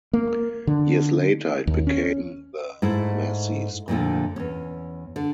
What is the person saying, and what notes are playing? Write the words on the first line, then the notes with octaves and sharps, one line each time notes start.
Years later it became the Massee School.
A#3
D3
D#2
C#4
G#2 A3 E4
F2 A#2 D3 A3
E2 C#4
D3